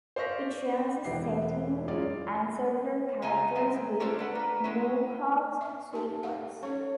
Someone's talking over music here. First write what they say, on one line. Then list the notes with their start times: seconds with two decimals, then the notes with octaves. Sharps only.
It shares a setting and several characters with Moorcock's sequence.
0.16 C5 D5 F5 C#6 A#6 B6
1.04 E1 E4 G4 F#5 C7
1.88 F#2 G#3 F4 C#5 D5
3.22 C#3 F4 A4 D#5 G#5 A#5
3.55 F#3 G#3 C4 E4
4.00 C#4 D4 F4 A4 C5 D5
4.19 A4 B4 F#5
4.35 A#3 B4
4.64 G#3 B3 C#4 E4
5.61 E5
5.93 D#4 G4 A5
6.23 F5 F#5
6.63 C#4 A4 C#5